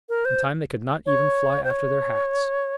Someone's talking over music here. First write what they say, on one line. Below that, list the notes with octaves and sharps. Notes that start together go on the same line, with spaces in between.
In time they could not even fly after their hats.
A#4
C5
C#5
C5
C#5